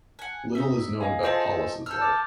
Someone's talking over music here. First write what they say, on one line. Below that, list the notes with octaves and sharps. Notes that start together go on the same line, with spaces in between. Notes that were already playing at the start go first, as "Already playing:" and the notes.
Little is known about Paulus' life.
F#5 G#5
D#4 E5
D#5 F5 G#5
F4 G#4 A4 C5 D#5 A5
A4 E6 F6 G6
D6 F6 A6